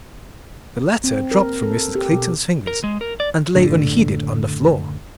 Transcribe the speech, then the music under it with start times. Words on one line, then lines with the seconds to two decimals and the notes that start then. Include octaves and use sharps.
The letter dropped from Mrs. Clayton's fingers and lay unheeded on the floor.
1.04 C4
1.31 A#4
1.62 A4
1.95 G4
2.13 B2
2.67 A#4
2.84 G#3
3.01 A#4
3.20 D5
3.55 F#1 A2 D3